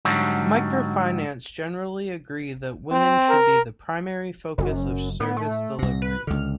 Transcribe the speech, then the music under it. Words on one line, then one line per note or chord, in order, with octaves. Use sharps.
Microfinance generally agree that women should be the primary focus of service delivery.
G#2 D3 F#3 G3
C4
A#4
F#1 F#2
A2 B3
A3
C2 C3 A#6
B4
C#2 D3 F6